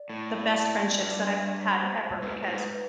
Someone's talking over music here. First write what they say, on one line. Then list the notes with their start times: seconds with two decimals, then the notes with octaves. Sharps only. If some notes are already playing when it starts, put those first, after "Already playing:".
the best friendships that I've had ever because,
Already playing: D5
0.10 A2
0.30 D#5
0.40 D5
1.00 G2
1.62 C#5
1.81 C5
2.02 C5
2.21 G#2 B4
2.43 A2
2.52 G#2